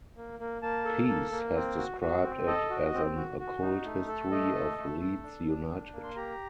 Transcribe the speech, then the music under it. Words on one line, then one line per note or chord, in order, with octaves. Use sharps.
Peace has described it as an "occult history of Leeds United".
A#3
A#3
A#3 A5
A4
A#3
A#3
C4
F#4
F#4
C4
A4 D#5
F#4
C4
F#4
F#4
D#4
A3
A4
A3 D#5
A4
A3
A4
D4
D4
D4
A#3
C6
G4 A#5